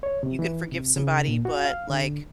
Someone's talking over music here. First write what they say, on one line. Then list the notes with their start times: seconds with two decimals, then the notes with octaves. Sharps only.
You can forgive somebody, but, like,
0.03 C#5
0.23 C3
0.39 E3
0.72 C3
0.96 C#3
1.28 A#2
1.45 F#4
1.65 F5
1.90 D3